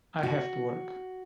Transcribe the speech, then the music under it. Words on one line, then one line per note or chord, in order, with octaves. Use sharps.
I have to work.
F#4